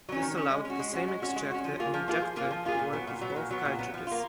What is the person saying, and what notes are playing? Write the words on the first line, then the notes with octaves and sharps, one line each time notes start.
This allowed the same extractor and ejector to work with both cartridges.
F#3 C#4
D#3
F#3 C#4
G#3
C#4 F#4
G#3
C#4 F#4
G#3
C#4 F#4
G#3
C#4 F#4
F3
A#3 F4 G#4
F3
A#3 F4 G#4
F3
A#3 F4 G#4
F3
A#3 F4 G#4
A#2
F#3 B3
A#2
F#3 B3
A#2
F#3 B3
A#2
F#3 B3
F3
A#3 F4